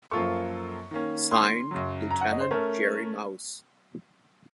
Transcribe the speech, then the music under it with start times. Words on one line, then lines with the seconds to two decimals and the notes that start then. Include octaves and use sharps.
Signed, Lieutenant Jerry Mouse.
0.11 F#2 F3 A#3 F4 A4 C#6
0.91 D#3 A#3 C#4
1.31 C6
1.71 F#2 C#3 F#3
2.11 A#5
2.21 F#5
2.31 D#5
2.40 C5
2.51 A3 C#4 A#4